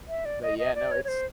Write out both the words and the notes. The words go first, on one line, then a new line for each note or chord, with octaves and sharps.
But yeah, no, it's
E5
D5
D#5
D#5
D5
C#5
C#5
C5